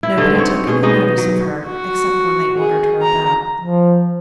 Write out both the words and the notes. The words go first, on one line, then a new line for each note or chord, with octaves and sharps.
Nobody took any notice of her except when they ordered her about.
E4
G2 D3 D#4
C4 C#5
B2 G#4
G#3 B3 D#4 D#5
F#3
F#4
G#4
A#5
F3